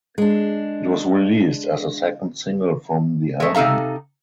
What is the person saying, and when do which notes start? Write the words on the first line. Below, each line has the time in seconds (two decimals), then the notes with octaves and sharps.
It was released as the second single from the album.
0.18 G#3 D4
3.40 G#3 A3
3.55 C3 D#4 A4 F5 A#5